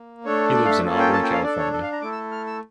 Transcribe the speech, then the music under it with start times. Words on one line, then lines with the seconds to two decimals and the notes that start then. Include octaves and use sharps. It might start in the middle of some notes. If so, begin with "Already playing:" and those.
He lives in Auburn, California.
Already playing: A#3
0.25 A3 D4 A4 C#5
0.55 D5
0.65 F5
0.70 E5
0.84 A#3 C#4 F4 A4
0.99 G5
1.13 A5
1.23 G5
1.33 F5
1.43 D4 A4 D5
1.58 C#5
1.73 A4
1.82 F5
1.92 A#5
2.02 A3 E4 A4 D6
2.12 E6
2.32 F6
2.47 E6